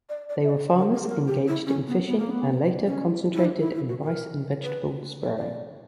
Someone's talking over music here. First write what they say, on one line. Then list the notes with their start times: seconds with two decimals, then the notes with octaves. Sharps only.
They were farmers engaged in fishing and later concentrated in rice and vegetables growing.
0.09 D5
0.29 D5
0.44 E5
0.49 D5
0.79 A#4
0.93 A#4
1.02 G4
1.08 A#4
1.27 G4
1.48 E4
1.67 C#4
1.87 B3
2.07 B3
2.18 A#3
2.30 B3
2.86 C#4
3.34 E4
3.45 D4
3.59 E4
3.75 E4
3.89 F#4
4.03 A#4
4.63 B4
5.22 D5
5.30 C#5
5.37 D5